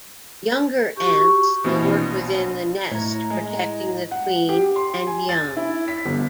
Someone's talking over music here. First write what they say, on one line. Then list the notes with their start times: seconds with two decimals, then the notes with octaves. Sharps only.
Younger ants work within the nest protecting the queen and young.
0.97 F#4 G4 C#6
1.64 A#1 B2 E3 C4 E4
1.93 D4
2.91 A2 E4 C#5 A#5
3.30 G#3
4.11 F#5
4.49 G4
4.76 C6
5.07 G#5
5.29 A6
5.57 E4
5.88 B6
6.06 G1